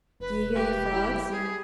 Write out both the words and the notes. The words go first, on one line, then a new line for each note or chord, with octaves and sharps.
"Do you hear the frogs?"
F1 B4
G4
E4
G3 G#4